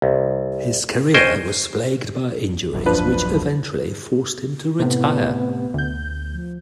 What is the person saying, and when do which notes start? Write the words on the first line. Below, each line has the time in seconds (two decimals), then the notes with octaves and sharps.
His career was plagued by injuries which eventually forced him to retire.
0.02 C2
1.14 C#4 C5 D#5 G5 G#5
2.73 D#1 A#1 F#2
2.86 F3 D4 B4
4.80 A2 C3 B3
5.74 D2 G6
6.33 F3